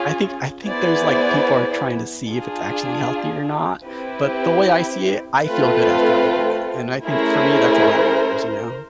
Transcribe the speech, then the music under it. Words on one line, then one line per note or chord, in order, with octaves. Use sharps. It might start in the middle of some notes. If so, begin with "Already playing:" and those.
I think I think there's, like people are trying to see if it's actually healthy or not, but the way I see it, I feel good after I do it, and I think, for me, that's all that matters, you know?
Already playing: C#4 F4 G#4
B3 E4 G#4 C5 D5
D4 F4 G#4
C4 E4 G4 B4
A3 C4 F4 A4 B4
A3 C#4 E4 G#4 A#4 C5